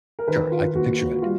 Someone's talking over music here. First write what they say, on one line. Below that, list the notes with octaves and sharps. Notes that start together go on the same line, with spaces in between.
Sure, I can picture it.
A#4
D#3 B4
F4
A#3 F#4
F#4
G3 F4